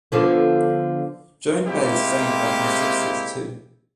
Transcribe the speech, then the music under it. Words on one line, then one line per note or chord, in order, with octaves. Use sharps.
Joan Baez sang it back in the sixties too.
D3 F3 B3
C3 G#3 A#3 E4 G4